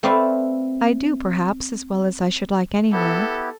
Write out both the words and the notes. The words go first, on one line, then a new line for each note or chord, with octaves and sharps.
I do, perhaps, as well as I should like anywhere.
A3 C4 B4 D5 E5 F5
B3 E4 G4 A4